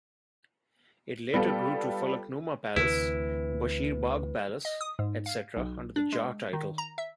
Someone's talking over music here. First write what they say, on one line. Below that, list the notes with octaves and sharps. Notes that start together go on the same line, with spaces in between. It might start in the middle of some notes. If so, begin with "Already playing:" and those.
It later grew to Falaknuma Palace, Bashir Bagh Palace, etc., under the Jah title.
G3 B3 F4 A4
D2 C3 E3 E4 B4
D#5
D#6
G#2
F5
B1
D4
G#3
D#3
A#5
E5